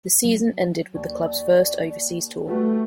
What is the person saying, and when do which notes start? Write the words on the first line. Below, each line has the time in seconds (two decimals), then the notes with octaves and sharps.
The season ended with the club's first overseas tour.
0.25 F#3
0.95 D#2 D5
2.48 G3 A3 F#4 B4